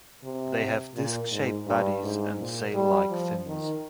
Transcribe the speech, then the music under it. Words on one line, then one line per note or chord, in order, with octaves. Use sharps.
They have disc-shaped bodies and sail-like fins.
C3
A#2
G#2
G2
G#2
A#2
G3
F3
D#3